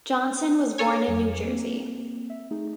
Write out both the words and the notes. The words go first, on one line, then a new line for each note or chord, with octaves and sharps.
Johnson was born in New Jersey.
A4 C#5 G#5
F2 F#3
A#3 C4
E5
A3 D#4 G#4